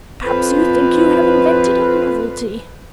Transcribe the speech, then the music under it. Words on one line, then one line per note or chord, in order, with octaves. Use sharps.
Perhaps you think you have invented a novelty?
F2 F3 B4